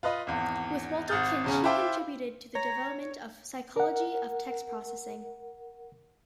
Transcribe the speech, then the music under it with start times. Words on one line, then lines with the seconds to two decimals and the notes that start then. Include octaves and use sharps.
With Walter Kintsch he contributed to the development of the psychology of text processing.
0.03 F4 B4 D#5 B5
0.27 G#1 E2
1.08 G#1 F#5 D#6 F6 G6 A6
1.44 E2 C#3 C#4
1.64 E4 F4 C5 E5 G5 D6
2.55 C#5 A#5
3.76 A#4 F#5